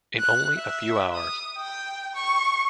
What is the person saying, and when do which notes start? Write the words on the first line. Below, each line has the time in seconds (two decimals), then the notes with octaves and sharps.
In only a few hours.
0.19 F#6
0.54 E5
1.14 D#6
1.57 G5
2.15 C#6